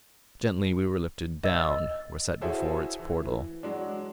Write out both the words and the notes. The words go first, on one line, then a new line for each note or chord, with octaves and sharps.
Gently we were lifted down; were set before its portal.
D#5 E6 A6
E4 F#4 G#4 A4 C5 E5
E3
F#3 G#3 D4